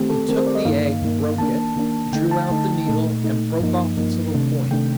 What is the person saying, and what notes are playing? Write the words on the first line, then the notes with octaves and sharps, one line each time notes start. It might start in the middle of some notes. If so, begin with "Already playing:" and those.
He took the egg, broke it, drew out the needle and broke off its little point.
Already playing: D#3 A3 C4 G4
A4
D#3 A3 C4 A#4
C5
D5
D#5
G2 D#3 A#3 D#4 F5
G2 D#3 A#3 D#4
D#3 A#3 D4 A5
D#3 A#3 D4
D3 A3 D#4 G5
A5
D3 A3 D#4
A#2 A3 D#4
A#2 A3 D#4
G2 F3 A#3 D#4
G2 F3 A#3 D#4
C3 D#3 A3 D4
C3 D#3 A3 D4 G5